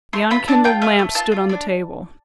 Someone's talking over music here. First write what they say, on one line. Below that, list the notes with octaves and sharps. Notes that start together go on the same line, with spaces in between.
The unkindled lamp stood on the table.
A3 C6
F4 B5
D4 A5
F4 G5
A3 F5
A3
F4 A5
F4
D4